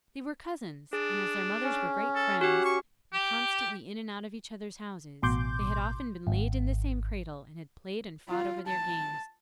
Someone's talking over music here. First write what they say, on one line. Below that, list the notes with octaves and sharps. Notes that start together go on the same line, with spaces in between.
They were cousins, and as their mothers were great friends, and constantly in and out of each other's houses, they had often been laid in the same cradle, and had played and fought over their games.
D4 G#4
C#4
A4
F#4 G4 F#5
C#6
G4
A1 B2 C6 D6 G6
G#1
F4
A5